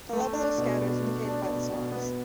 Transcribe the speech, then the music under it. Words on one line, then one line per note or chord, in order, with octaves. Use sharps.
The level of a Scouter is indicated by the stars.
A3
D4
B2
B2
A3
D4
B2
B2
B3